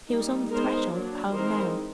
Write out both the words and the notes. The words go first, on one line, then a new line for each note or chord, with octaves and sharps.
He was on the threshold of home now.
G3 A#3 D#4
G#3 B3 D#4 A#4 C5
F#3 A#3 D4
E3 G#3 C4 D#4 A#4 C5